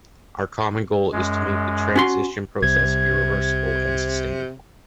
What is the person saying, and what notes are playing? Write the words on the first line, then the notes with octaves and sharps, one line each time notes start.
Our common goal is to make the transition process irreversible and sustainable.
F#2 G#3
C#4 F#4 C6
C2 C3 G#6